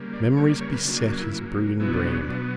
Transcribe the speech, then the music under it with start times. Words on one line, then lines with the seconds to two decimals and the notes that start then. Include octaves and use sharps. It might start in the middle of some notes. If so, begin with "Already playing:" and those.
Memories beset his brooding brain.
Already playing: C#3 G3 A#3
0.13 D5
0.37 C#3 G3 A#3 C#5
0.49 D5
0.61 C#5
0.72 B4
0.85 C#3 F#3 A#3 D4
0.96 D4
1.09 D4
1.20 E4
1.32 C#3 F#3 A#3
1.79 B2 F#3 B3 E4
1.93 D4
2.07 C#4
2.21 D4
2.27 B2 F#3 B3